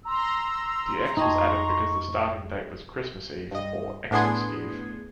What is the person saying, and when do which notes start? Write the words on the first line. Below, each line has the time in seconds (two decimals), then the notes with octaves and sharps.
The "X" was added because the starting date was Christmas Eve, or "X"mas eve.
0.05 A#5 C6 E6
1.17 F2 D#4 D#5 G5 C#6
3.51 G2 D#5
4.11 A2 B3 D4 G#4 C6 G#6